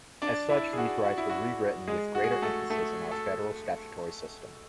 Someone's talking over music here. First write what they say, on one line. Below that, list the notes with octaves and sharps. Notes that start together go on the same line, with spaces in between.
As such, these rights were rewritten with greater emphasis in our federal statutory system.
D4 D5
E4
G#4
F#4
F#4
E4
F#4
G#3 G#4
F#4
G#4
F#4
A3 A4
A3 A4
A4